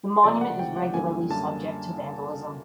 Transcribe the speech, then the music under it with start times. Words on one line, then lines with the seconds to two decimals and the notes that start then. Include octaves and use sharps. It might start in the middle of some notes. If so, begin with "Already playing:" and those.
The monument is regularly subject to vandalism.
0.24 C#2 C3 F3 A3 D5
0.41 F#5
0.59 C#2 C3 F3 A3 G5
0.76 F#5
0.94 F#2 D3 G3 A#3 G#5
1.29 F#2 D3 G3 A#3 A5